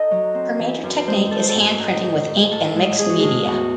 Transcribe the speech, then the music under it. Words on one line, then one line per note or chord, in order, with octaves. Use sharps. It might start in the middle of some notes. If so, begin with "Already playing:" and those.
Her major technique is hand printing with ink and mixed media.
Already playing: D#4 A4 D#5
F#3
C4
E3
F#2
G#3 C5
F#2 A4
C5
A4
G#2
D#4
G#2
G#2
A2 A4
G#3
G#3 G#4
F#4
A2 G#4
E2 F#4